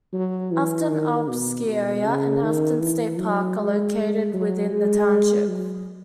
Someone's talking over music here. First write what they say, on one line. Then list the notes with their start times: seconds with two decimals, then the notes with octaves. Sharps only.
Afton Alps Ski Area and Afton State Park are located within the township.
0.13 F#3
0.52 E3
0.90 D#3
1.28 B2
1.66 B2
2.05 C#3
2.43 D#3
2.81 E3
3.19 F#3
3.57 G#3
4.34 F#3
4.72 G#3
5.48 F#3